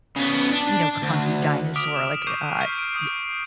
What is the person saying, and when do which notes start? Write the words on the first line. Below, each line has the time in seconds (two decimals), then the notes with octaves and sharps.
you know, clunky dinosaur, like, uh, uh, y
0.16 C#3 B3
0.52 D4
1.03 D2
1.76 D6 D#6 F6 B6 D7
1.96 D#6 E7
2.26 C#6 D6 G6 C7 D7 D#7
2.61 F6 G6 B6 C7 D7
2.78 D7
2.95 D#6 C7